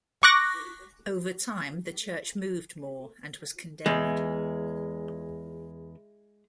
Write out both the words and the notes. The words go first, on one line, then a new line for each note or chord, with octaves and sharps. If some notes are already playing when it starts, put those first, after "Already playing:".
Over time the church moved more and was condemned.
C#6 D6 F#6 A#6
E2 G#3